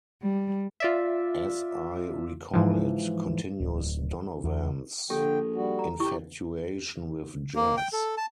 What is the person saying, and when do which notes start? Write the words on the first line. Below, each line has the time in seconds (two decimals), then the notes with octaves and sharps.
"As I Recall It" continues Donovan's infatuation with jazz.
0.21 G3
0.80 F4 D5 E5
2.54 G#2 E3 F3
3.60 D1
4.44 E2
5.10 A#1 D3 G4 A4 G5
5.56 G3 F#4
5.79 A#5
6.00 E4 G4 C#6
7.55 A#3
7.77 G5
7.93 A4
8.18 A5